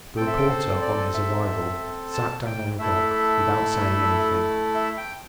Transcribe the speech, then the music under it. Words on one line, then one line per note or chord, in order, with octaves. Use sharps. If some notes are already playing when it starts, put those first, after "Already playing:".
The reporter, on his arrival, sat down on a rock, without saying anything.
C4 A4 G5
E5
G5
C5
D5
E5
A5
G5
A3 E4 A4 E5
E5
G5